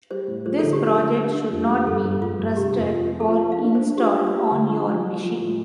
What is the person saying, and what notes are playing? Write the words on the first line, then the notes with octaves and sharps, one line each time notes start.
This project should not be trusted or installed on your machine.
G3 C5
A2
F3 C5
D3 A4
G4
F3
A4
D3
G3
D4
F2
G3
G2 A4
G2
F3 F4
G2
C3 G4
F2
F3
F3
A4
F4 C5
F3
F5
D4
C5
D4
F4 G4
G3
G3 F4
D3
F3 G4
F3
F3
F3
A2